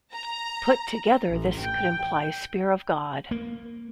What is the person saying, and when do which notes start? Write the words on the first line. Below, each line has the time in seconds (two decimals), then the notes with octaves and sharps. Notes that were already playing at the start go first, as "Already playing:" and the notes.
Put together this could imply Spear of God.
0.12 A#5
1.30 A1
1.60 G5
3.31 A#3